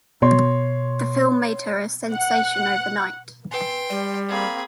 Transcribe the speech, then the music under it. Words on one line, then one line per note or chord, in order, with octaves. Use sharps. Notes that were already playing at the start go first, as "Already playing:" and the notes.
The film made her a sensation overnight.
B2 C#5 C6
F#5
B4 G5 G#5 C6
G3 D5
A#3 C4 G#4 B5